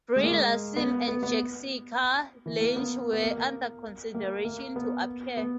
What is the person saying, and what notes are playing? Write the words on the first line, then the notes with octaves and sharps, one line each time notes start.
Brie Larson and Jessica Lange were under consideration to appear.
G#3
A#3
G#3
B3
B3
B3
E3
A#3
B3
B3
A#3
A#3
A#3
A#3
B3
B3